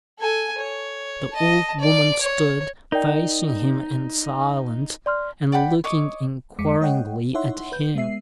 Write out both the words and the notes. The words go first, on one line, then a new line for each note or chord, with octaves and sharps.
The old woman stood facing him in silence and looking inquiringly at him.
A4 G#5
C#5
D#5 A5
D5 D6
C#5
D#4 A#4 D5 G5
D5 C6 F6
D5 F#5 G5 B5
C#5 D#5 D6
F2 G#3 D6 B6 C#7
G#3 C#5 D#5 F#5 G5
D#4 E4 C#5 E5 F#5 C6
B4 G6
G#3 B3 E5 C7